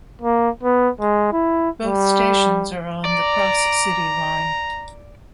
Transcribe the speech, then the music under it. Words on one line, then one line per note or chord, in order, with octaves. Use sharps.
Both stations are on the Cross-City Line.
A#3
B3
G#3
E4
G3
D5 A#5